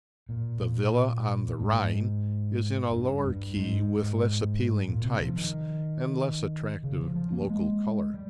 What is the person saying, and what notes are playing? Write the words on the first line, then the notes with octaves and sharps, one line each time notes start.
'The Villa on the Rhine' is in a lower key, with less appealing types, and less attractive local color.
A#2
A#2
A#2
G#2
G2
G2
G#2
A#2
C3
F3
D#3
C#3
F3
F3
A#3
G#3
G3